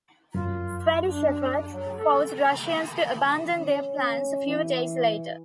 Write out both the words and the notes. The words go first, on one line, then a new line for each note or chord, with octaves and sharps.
Swedish efforts forced Russians to abandon their plans few days later.
F#2 F4
D4
F#3
A4
C#4
E3